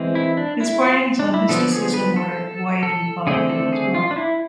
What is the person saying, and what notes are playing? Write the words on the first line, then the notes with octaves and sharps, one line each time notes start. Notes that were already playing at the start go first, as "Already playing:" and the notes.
His writings on mysticism were widely popular as well.
Already playing: E3 G#3 C4
E4
D4
E4
F4
D4
E4
D3 F3 B3 A4
G#4
B4
A4
A4
D3 A3 C4 G#4
A4
G#4
F4
D4
E4